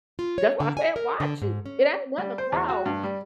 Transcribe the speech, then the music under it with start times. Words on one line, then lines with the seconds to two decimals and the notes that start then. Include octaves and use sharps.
That's why I said watch it, it ain't nothing to cry over.
0.19 F4
0.38 C#5
0.60 D3
0.77 G#5
0.96 A#4
1.20 D3
1.42 G#2
1.66 C#4
2.18 G3
2.38 C5
2.52 E2
2.69 F#4
2.86 G2
3.03 G3